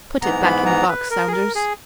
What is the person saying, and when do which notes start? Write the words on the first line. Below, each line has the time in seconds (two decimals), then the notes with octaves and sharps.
Put it back in the box, Saunders.
0.22 G#2 E3 B3 A#5
0.44 B5
0.66 A#5
0.88 B4
1.11 A#4
1.28 G#4
1.32 A#4
1.55 G#4